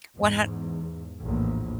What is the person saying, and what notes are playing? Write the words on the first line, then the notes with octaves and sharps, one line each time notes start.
One hun
E2 G#2
A#1 E2 A2